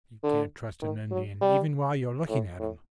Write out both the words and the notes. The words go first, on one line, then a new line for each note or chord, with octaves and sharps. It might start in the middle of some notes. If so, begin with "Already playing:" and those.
"You can't trust an Indian even while you are looking at him."
D3
D#3
F#3
G3
A2
A2